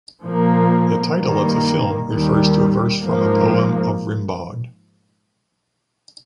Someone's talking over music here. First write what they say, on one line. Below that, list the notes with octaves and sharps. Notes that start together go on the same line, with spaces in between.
The title of the film refers to a verse from a poem of Rimbaud.
A#2 F3 A#3
G2 D#3 G3 A#3
D#2 D#3 G3
G#2 F3 A#3